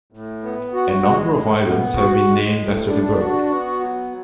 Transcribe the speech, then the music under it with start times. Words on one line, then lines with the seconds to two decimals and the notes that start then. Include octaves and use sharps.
A number of islands have been named after the bird.
0.12 A2
0.43 B3
0.73 F#4
1.04 G#3
1.35 A2
1.66 B3
1.96 F#4
2.27 G#3
2.58 A2
2.88 D4
3.19 F#4
3.50 B3
3.80 F#3